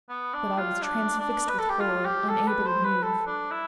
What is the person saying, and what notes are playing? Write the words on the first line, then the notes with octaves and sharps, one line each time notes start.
But I was transfixed with horror, unable to move.
B3
D4
F4
D4
D4
B4
A4
G4
F4
G4
A4
B4
C5
B4
A4
D4
E4